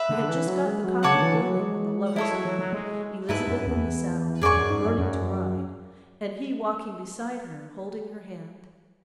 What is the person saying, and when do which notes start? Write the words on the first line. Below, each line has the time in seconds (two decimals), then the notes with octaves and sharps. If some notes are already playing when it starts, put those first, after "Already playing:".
We had just got the coffee boiling when the lovers came up, Elizabeth in the saddle, "learning to ride," and he walking beside her holding her hand.
Already playing: B4 E5 B5
0.09 D3
0.29 E3
0.47 F#3
0.66 G#3
0.84 F#3
1.03 C#3 C#5 F#5 A5 D6
1.14 D3
1.22 E3
1.41 F#3
1.60 G#3
2.16 G#3 E4 A4 C#5
2.31 F#3
2.45 F#3
2.59 F#3
2.73 G#3
3.29 G#2 E4 B4 E5 A5
3.48 F#2
3.67 E2
4.41 F#2 G#4 D5 G#5 C#6
4.56 F#2
4.70 G#2
4.85 F#2
4.98 F#2